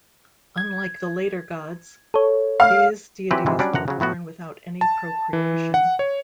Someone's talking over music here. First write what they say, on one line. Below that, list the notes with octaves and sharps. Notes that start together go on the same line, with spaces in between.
Unlike the later gods, these deities were born without any procreation.
G#6
A4 C#5
F5 F6
E3 F#3 C4 G4 B4
G#2 C3 D#3 E3
F#3 G3 C#4 D4 D5
F#2 D3 F#5 A#5
C#3 F#3
A2 F#3 B3 F#4
A5
E3
F#5
C#5